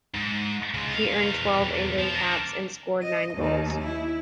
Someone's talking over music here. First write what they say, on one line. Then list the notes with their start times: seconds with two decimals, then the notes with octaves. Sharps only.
He earned twelve England caps and scored nine goals.
0.14 G#2
0.74 C#3 G#3
0.95 E2 F5
1.99 F3
2.15 D4 A#4
3.02 D#5
3.34 D#2 D#3
3.81 E4